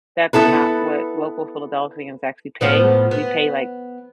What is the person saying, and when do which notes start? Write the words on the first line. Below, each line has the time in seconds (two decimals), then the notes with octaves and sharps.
That's not what local Philadelphians actually pay. We pay, like,
0.33 B3 E4 A4 B4
2.61 A2 F3 B3
3.11 B3